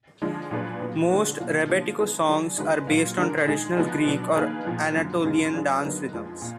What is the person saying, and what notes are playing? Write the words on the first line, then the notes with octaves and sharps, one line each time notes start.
Most rebetiko songs are based on traditional Greek or Anatolian dance rhythms.
D3 F3 G#3 D4
A#2 F#3 D4 G#4 B4
A#2 F#3 B3
D3 G#3 D4 F#4
B2 F#3 A#3 F4
D3 F3 A#3
D#3 G#3 B3 D#4
D3 F#3 D4 G#4
D3 G#3 D#4 F#4 B4
A#2 F#3 A#3
D3 G#3 D4 F#4 A#4
D#3 G#3 D#4 G#4
F3 G#3 B3 D#4 F#4
B2 F#3 D4
D#3 A#3 D#4 G#4 B4
A#2 F3 B3
F#2 D3 F#3
F#2 D3 G#3 B3 F4
F#3 D4 F4 G#4 B4
D3 F#3 B3 D#4 A#4
F2 F3 G#3
A#2